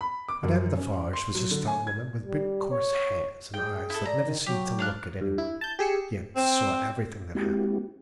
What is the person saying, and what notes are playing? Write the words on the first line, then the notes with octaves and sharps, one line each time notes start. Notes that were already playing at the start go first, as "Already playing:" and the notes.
Madame Defarge was a stout woman with big coarse hands and eyes that never seemed to look at any one, yet saw everything that happened.
B5
D6
F#2
C#4
C6
F#3
D3
G#5
G#6
G3
C#5
G#4 G5
E4 A4
D5 A#5
D#3
F#3 G4
D4 F5 F#6
G2
E4
A5 G6
G4 G#4 E6 C#7
C4
G#3 A#3 C4 E4 F#4 G4